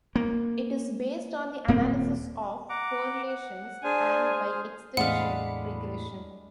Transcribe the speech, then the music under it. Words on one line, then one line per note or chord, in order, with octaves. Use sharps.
It is based on the analysis of correlations and, by extension, regression.
A#3
D#1 A#3 C4
F#5 A#5 D6
F#5
D4 G#4 C5 G#5 F6
E2 A2 G#3 D4 F5 F#5 B5